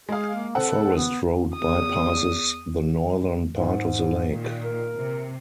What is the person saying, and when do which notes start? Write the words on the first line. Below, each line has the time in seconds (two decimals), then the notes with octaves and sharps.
A forest road bypasses the northern part of the lake.
0.09 G#3 G#4 F5
0.34 A#3
0.55 C4 A4 F#5
0.96 B3
1.55 E2 D#6
3.55 G#2
4.28 A#2 D#3
4.64 A#4
4.96 C3